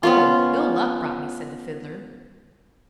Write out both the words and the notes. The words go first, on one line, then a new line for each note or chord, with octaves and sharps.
"Oh, Ill-Luck brought me," said the Fiddler.
B3 C#4 F4